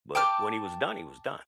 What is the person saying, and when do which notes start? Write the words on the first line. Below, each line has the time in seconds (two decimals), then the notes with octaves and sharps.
but when he was done, he was done.
0.15 G5 A5 D6 F6